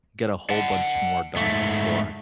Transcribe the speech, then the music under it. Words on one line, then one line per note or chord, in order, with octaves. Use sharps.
get a whole bunch more done for sure,
F#5 A5
G#2 A3